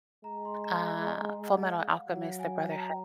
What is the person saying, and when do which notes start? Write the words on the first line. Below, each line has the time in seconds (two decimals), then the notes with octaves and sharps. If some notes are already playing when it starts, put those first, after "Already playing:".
uh, Fullmetal Alchemist: The Brotherhood,
0.24 G#3 A#5
0.45 C6
0.65 A#5
1.47 F#5
1.78 F5
2.08 F#3 F#5
2.39 G#5
2.70 A#5